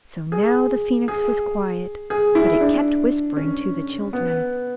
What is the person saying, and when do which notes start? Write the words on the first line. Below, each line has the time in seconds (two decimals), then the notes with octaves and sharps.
So now the Phoenix was quiet, but it kept whispering to the children.
0.32 G#4
1.08 G#4
2.10 G#4
2.35 E4
2.61 D4
3.37 C#4
4.13 B3